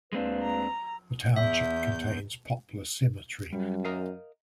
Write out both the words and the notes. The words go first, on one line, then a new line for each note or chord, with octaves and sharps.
The township contains Poplar Cemetery.
D2 G#3 A#3 C4 D4 B4
A#5
E2 E5 G6
F#2 G3
A#4 D#5 F5